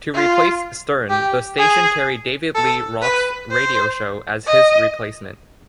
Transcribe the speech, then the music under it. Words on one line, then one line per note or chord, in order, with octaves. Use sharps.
To replace Stern, the station carried David Lee Roth's radio show as his replacement.
F4
G4
G#4
A4
B4
C5
D#5